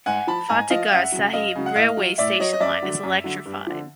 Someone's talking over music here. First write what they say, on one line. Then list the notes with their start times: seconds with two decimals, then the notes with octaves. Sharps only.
Fatehgarh Sahib railway station line is electrified.
0.06 G#2 F#5 G#5
0.27 F3 A5 B5
0.49 G#2 G#5 A#5
0.70 F3 D#5 F5
0.88 F5
0.92 F#2 E5 F#5
1.12 C#3 F#3
1.33 F#2 D#5 F5
1.55 C#3 F#3
1.66 F#5
1.76 A2 D#5 F5
1.97 F#3
2.18 A2 D5 E5
2.39 F#3 C#5 D#5
2.53 D#5
2.60 F#2 D5 E5
2.82 D3 F#3
3.03 F#2
3.24 D3 F#3
3.46 G2
3.67 D3 F3